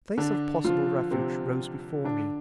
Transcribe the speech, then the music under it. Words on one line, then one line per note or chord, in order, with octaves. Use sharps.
The place of possible refuge rose before me.
D3 D4
F3 F4
C3 C4
D3 D4